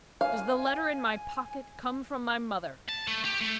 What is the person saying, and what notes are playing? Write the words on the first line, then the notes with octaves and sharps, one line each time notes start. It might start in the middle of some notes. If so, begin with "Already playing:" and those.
"Does the letter in my pocket come from my mother?"
F5 G#5
A5
A3
G4
A3